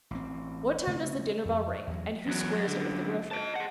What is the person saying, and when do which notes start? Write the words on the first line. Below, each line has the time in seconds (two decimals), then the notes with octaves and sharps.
What time does the dinner bell ring and who squares it with the grocer?
0.11 A1 C4
0.87 C#3 A3 A#3 C4
1.45 F2
1.87 E2 F#3
2.27 E2 F#3
2.55 F#2
2.67 F#2 D3
3.31 D#5 A5
3.55 G#4 F#5